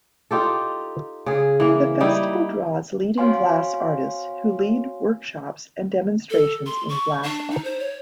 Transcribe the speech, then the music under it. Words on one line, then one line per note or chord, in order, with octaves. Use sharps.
The festival draws leading glass artists who lead workshops and demonstrations in glass art.
D#4 F4 G4 A4
C#3 G#4
E3 A#3
G3 D#4 E4
C4 F#4 C#5 F5 G#5 C6
A4
C6
C#6
D4
D#4
C5
C#5